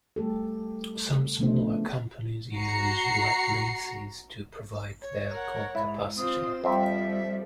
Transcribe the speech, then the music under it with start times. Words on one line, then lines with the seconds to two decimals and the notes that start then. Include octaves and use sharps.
Some smaller companies use wet leases to provide their core capacity.
0.16 G3 A3 G4 A4
1.39 C#3 F3 A3 B3 D4 C5
2.55 F#4 A#5 C7 C#7
5.02 C#5
5.32 A#4 F#5
5.75 G#2 E4
6.18 C4 F4 C5 D#6
6.64 F2 F3 G3 C4 E5